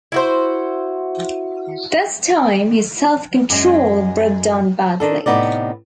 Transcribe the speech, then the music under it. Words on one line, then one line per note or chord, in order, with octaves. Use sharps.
This time his self-control broke down badly.
E4 F#4 C5
F#2 G#3
D#3 D4 A4
A2 C3 E3 B3 D#4 D5